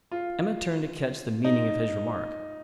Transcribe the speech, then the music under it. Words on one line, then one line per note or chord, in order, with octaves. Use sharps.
Emma turned to catch the meaning of his remark.
F4
D#4